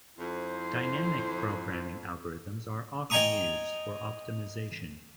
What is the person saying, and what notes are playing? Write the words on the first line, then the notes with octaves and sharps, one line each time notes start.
Dynamic programming algorithms are often used for optimization.
F2 E4 C5
D#5 G5 G#5 A#5 C#6 D#6